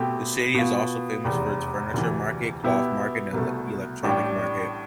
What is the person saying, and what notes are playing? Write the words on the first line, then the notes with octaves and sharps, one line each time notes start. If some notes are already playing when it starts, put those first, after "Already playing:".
The city is also famous for its furniture market, cloth market and electronic market.
Already playing: B2 A3 C4 G4
B2 B3 F4
F1 E2 C3
D2 C3 E3
B2 B3 E4 G4
C2 B2 A3
A1 A2 G3 D4 G4